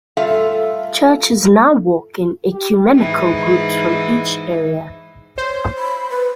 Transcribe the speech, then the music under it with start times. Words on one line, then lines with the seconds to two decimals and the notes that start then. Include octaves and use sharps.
Churches now walk in ecumenical groups from each area.
0.17 G3 A3 F4 A4 E5 F5
2.52 G4
2.96 G#2 E3 D#4
5.38 C5 C#5
5.78 B5
6.10 B4